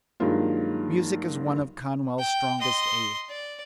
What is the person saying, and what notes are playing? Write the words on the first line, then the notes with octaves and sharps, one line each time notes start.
Music is one of Conwell's strongest aids.
G2 D#3 F#3 G#3 A#3 F4
G5
D#5 C6
D5